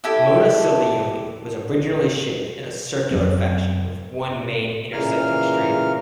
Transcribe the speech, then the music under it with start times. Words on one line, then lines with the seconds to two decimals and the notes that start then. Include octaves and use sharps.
Monacilioni was originally shaped in a circular fashion with one main intersecting street.
0.04 E4 G4 A4
3.11 F#2 F#3 C4
4.93 A#2 C#3 E3 A#4 F5 F6